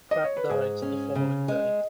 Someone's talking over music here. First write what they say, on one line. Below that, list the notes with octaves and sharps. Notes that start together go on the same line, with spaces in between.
Pratt died the following day.
D#5
C#5
B4
G#2 G#4
C#4
C#3
G#3